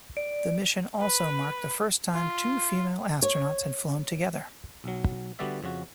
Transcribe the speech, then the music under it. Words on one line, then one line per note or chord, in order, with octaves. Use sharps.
The mission also marked the first time two female astronauts had flown together.
D5
B4
F4
C#5
B1 F#3
D3 G3 B3 F#4 D5 E5
F2 C#3 F#4